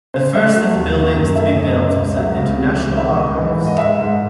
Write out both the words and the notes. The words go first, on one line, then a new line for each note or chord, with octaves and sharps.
The first of the buildings to be built was the International Archives.
C#3 C5
A3 E5
F#3
D#2
D#3
F#2
A3 E5
D#5
F#2 C#5
D#5
C#3
C#2
F#3 E5
C#2
C3
C#2
D#3 E5
C#2 D#5
E3
G#2
D#5
G#3 E5
G#2